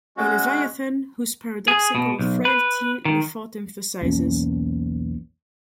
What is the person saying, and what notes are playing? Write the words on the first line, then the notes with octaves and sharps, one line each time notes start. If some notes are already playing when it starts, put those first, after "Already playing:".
A Leviathan whose paradoxical frailty Lefort emphasises.
G#3 C#4 F#4
G#4
B2
B1
B4
D#3
B1 E2 A#3 C#4